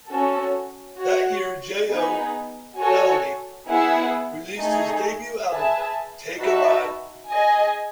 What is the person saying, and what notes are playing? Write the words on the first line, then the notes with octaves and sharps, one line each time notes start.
That year, Jayo Felony released his debut album, "Take a Ride".
C#4 F#4 A4
F#4 C#5 F#5
B3 D#4 G#4 B4
F#4 A4 C#5 G#5
B3 E4 G#4 B4 F#5
A3 D#4 G#4
G#4 B4 E5 A5
D#4 F#4 B4 E5 A5
G#4 D#5 G#5